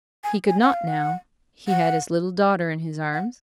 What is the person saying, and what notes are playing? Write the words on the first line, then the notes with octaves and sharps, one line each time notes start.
He could not now; he had his little daughter in his arms.
G#5
G#5
F#5
F5
F#5
F#5
F#5